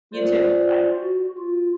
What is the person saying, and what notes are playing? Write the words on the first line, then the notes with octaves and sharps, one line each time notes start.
You, too. Bye.
F4 C5 D5
F#4
F4